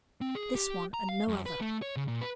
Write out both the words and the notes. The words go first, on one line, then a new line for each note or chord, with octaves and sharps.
This one and no other.'
C4
G#4
G4
A#5
F5
F#2
B4
A3
C#5
C#3
A#2
B4